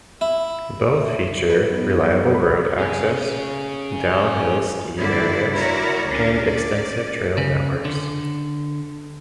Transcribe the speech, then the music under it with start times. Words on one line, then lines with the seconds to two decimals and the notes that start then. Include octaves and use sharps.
Both feature reliable road access, downhill ski areas, and extensive trail networks.
0.21 E4
1.50 B4
1.70 F#3 B3 D#4
2.35 C#2 B5
2.79 C#4 G#4
4.97 G2 D3 A#3 E4 D5
5.52 E4 F#4 A#4 C#5 D5
6.06 D2 C#4 D4 A#4
6.46 C#4 D5
7.38 C#3
7.85 D3